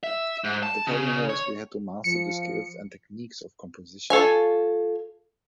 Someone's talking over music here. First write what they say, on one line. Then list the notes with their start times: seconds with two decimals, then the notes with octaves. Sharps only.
The problem was, we had to master the skills and techniques of composition.
0.04 E5
0.44 G#2
0.63 A5
0.87 C#3
1.29 C#5
2.04 F3 C#7
4.10 F4 A4 C#5 G#5